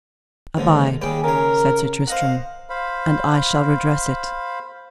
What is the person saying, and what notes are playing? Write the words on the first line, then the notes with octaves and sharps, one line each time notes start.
Abide, said Sir Tristram, and I shall redress it.
D#2 G#2 D3
D#2 G3 G#4 G5
C#3 A#4 C#5
C5 D#5 F5 F#5
C5 F5 B5